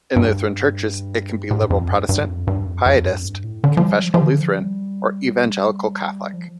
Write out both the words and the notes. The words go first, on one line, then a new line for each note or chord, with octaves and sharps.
In Lutheran churches it can be liberal Protestant, pietist, confessional Lutheran, or evangelical Catholic.
G2
A2
G2
F2
G2
G2
F2
G2
F2
F2
G2
F2
G2
A2
D3
F3
G3
F3
F3
D3
F3
G3
F3